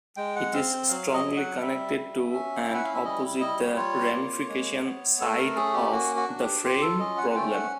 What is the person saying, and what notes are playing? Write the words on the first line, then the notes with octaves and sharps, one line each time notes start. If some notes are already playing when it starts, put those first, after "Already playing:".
It is strongly connected to, and opposite the ramification side of, the frame problem.
G#3 G5
F#5
C4 F5
F#3 F5
D#5
F#3
F#5
G3 E5
G3
C#4
E4 G5
F#5
F5
E5
G3 D#5
G3 D#5
C#5
F4 C#5
A#3
G#3
B3
A3 A4
A#4
C#4 G#4
G4
A#3 F#4
F#4
D4
G4
F4 G4
A4
C#4 D#5
F#5
F#5
A3 G5
F#5